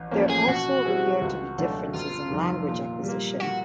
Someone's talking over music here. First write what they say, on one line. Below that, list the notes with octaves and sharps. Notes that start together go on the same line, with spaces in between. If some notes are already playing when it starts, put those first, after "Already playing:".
There also appear to be differences in language acquisition.
Already playing: A1
A2 F3 A#3 C#4
G#4
B2 F#4
G3 C4 E4 G#4
C#2
B2 F#3 A3 D4
G1 F4
F2 C3 D#3 G3
A#2
G3
A#3
F#4